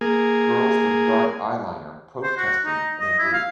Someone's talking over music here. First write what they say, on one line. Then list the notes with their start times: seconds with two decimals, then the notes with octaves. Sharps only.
Girls with dark eyeliner protesting in a group.
0.01 A#3 G#4
2.23 C5
2.37 F#4
2.65 D#4
3.00 D#5
3.19 E4
3.33 F5